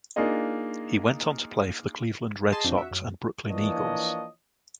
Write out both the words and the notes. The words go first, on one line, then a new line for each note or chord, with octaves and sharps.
He went on to play for the Cleveland Red Sox and Brooklyn Eagles.
A#3 D4 D#4 F4 G#4 D#5
G#4 D#5 A5 C6
F2 F3 C4 D4
F#4 E5
F#2
E3 F3 A#3 D4 C#5 D#5